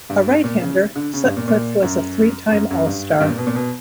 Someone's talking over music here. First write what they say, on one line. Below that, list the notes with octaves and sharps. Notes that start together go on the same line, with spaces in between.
A right-hander, Sutcliffe was a three-time All-Star.
G2
A#2
C#3
D3
C#3
G2
A#2
A#2
F#2
F#2
F#2
G2
G2
A#2
B2
A#2
B2